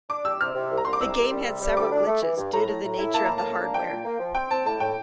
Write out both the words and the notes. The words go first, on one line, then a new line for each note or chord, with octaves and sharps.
The game had several glitches, due to the nature of the hardware.
D4 D6
G3 E6
C3 F6
C3
C2
A#5
C2 C6
D6
C2 E6
C2
G3
C3
G3
D2 D6
D4
A3
E3
G2
A2 A#5
A2
A2
E4
A#3 A5
A2 A#5
A5
A#3
D4
F3 G5
A#2
A#3
F3
C4 G5
C4 A5
A2 A5
A2 G5